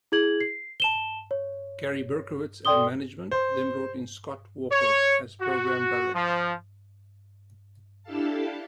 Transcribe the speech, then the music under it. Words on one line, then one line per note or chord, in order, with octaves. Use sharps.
Gary Berkowitz and management then brought in Scott Walker, as program director.
E4 G#4 G#6 F#7
C7
A5 E7 G7
C#5
A4 D5 G5 C6 D#6 G7
C5
C#5
F#4
F3
D4 E4 G4 A4 F5 A5